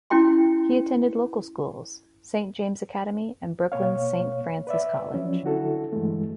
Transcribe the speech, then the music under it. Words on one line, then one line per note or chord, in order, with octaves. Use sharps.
He attended local schools, Saint James Academy, and Brooklyn's Saint Francis College.
C#4 E4 F#4 G5 C6
B2 A#3 C#5 F5
B4 D5 E5
F3 F#3 C#4
D3 E4 F#4 A4
G2 E3 G#3 A3